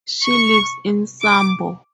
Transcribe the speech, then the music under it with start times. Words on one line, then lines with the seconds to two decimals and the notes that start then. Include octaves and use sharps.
She lives in Sombor.
0.25 C#6
1.22 D6